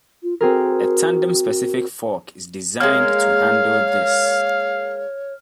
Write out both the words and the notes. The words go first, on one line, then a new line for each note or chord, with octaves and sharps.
A tandem-specific fork is designed to handle this.
F4
C4 F#4 G#4 A#4
G#3 A#3 C#5 F5 F6